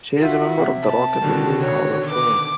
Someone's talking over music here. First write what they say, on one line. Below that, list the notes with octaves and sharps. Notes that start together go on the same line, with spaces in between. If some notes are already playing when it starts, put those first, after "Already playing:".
She is a member of the Rockabilly Hall of Fame.
F4 F#4 E5
C3
A5
B2 D3 D#3 F#4
C#5
B4 D6